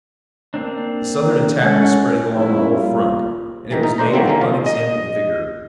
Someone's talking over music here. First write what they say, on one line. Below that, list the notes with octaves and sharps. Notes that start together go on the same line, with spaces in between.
The Southern attack was spreading along the whole front, and it was made with unexampled vigor.
A#3 C4 D4
D#3
G#3 C#4 A4 F#5
G#2 B2 F3 C#4 D#4 E4
G3 A#3 F4
G#2 D#3 E3
D#4
A3 D4 C5 A#5
D#3 E3 F#3 G3 A#3 C4
D3 D#3 A#3 C#4
F3 F4
D#5